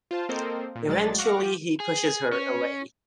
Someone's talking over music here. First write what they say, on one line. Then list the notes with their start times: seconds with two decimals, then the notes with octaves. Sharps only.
Eventually he pushes her away.
0.11 F4 C5 A5
0.29 A#3 C4 A4 A#4 C5 D#5
0.75 A#2
0.88 A#1 F#3 G#3 D5 A6
1.18 F5 F#5 C#6 D6 F6 A#6
1.40 F3 G4
1.80 G#4
2.32 C#4